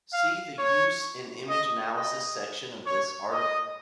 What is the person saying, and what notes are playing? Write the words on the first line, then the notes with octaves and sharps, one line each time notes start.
See the Use in image analysis section of this article.
F5
C#5
D#5
D#5
C#5
D#5